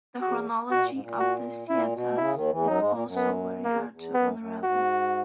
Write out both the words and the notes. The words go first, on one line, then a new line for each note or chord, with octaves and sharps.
The chronology of the sceattas is also very hard to unravel.
E2 F#4
B2 F#4
A#2
G#2
A#2
F#4
A#2 E4
B2
C#3 E4
D#2 D#3
E2 E3
F#2 F#3 D#4
G#2 G#3
A#2
F#2
B3
E2 A#3
E2
F#2 B3
F#2
G#2 F#4